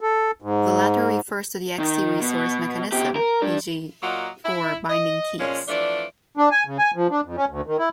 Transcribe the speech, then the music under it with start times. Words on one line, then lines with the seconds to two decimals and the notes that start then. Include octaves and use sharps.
The latter refers to the Xt resource mechanism, e.g., for binding keys.
0.01 A4
0.42 G#2
1.79 D#3
2.22 B2
2.92 B2 G4
3.16 A#4
3.42 G2 D4
4.02 A#2 F#3 A#3 F4 D#5 F#5
4.44 E4
4.90 D#5
5.39 A#2 F3 G#3 C#4
5.68 E3 F3 A3 D4 D5
6.37 D4
6.51 G#5
6.66 C#3
6.79 G#5
6.96 F3
7.10 D4
7.25 F2
7.37 C#4
7.49 D2
7.67 D#3
7.79 E4